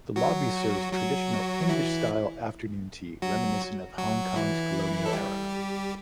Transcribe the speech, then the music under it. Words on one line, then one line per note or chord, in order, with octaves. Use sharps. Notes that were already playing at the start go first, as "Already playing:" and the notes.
The Lobby serves traditional English-style Afternoon Tea, reminiscent of Hong Kong's colonial era.
F#3 F#4
F#3 F#4
E3 E4
F#3 F#4
F#3 F#4
E3 E4
A4
G3 G4